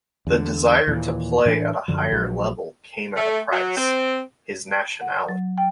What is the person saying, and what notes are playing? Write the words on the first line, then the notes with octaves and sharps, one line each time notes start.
The desire to play at a higher level came at a price: his nationality.
E2 D3
D#2 A#2 E3
A2 E3 D4
F#2 D3 F3
A#1 F#3
A3
F#3
C4
F#5
F#3
G5